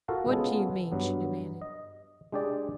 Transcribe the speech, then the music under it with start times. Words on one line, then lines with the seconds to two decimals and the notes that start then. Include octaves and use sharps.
"What do you mean?" she demanded.
0.08 F4 F#4 A4 A#4 F5 F#5
0.29 G#3 B3 C#4 F4 G#4 A4
0.91 G2 F#3 B3
1.62 D#5
2.32 G#3 D4 G4 G#4 D5